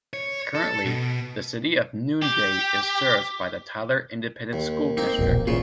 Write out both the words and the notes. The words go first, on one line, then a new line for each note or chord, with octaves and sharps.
Currently, the City of Noonday is served by the Tyler Independent School District.
C#5
A4
B2
G4
D#2
A#3 C4 D#4
E1 A#1
A1 A#2 C#3 F4